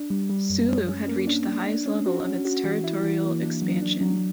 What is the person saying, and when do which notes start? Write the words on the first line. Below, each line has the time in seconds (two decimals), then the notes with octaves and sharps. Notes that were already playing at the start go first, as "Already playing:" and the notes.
Sulu had reached the highest level of its territorial expansion.
Already playing: D4
0.10 G3
0.30 G3
0.50 F#2
0.69 C#4
0.88 C#4
1.08 A#3
1.27 D4
1.47 D4
1.66 D4
1.86 C#4
2.06 F#4
2.25 C#4
2.45 F#4
2.64 E3
2.84 E4
3.03 E3
3.23 A#3
3.43 D4
3.62 F#3
3.82 D4
4.01 F#3